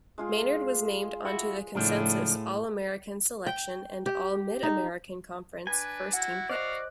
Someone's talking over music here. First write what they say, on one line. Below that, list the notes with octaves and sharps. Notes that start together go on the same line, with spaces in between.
Maynard was named onto the consensus All-American selection and All-Mid-American Conference first-team pick.
G#3 F4 G#4
E4 F#4
C#2 A2 F3 D4
G5
G4
D#4
D4 B4 G#5
E4 F#4 F#5
F#4 C5 D5 D#5 F5 F#6